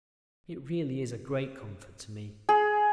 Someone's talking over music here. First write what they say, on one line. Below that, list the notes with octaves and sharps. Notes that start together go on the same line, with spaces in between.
It really is a great comfort to me.
G#4